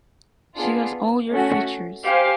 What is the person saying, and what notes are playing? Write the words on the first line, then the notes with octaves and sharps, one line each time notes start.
She has all your features.
B3 D4 F4 G#4
A3 C#4 F#4
G4 C5 F5 G#5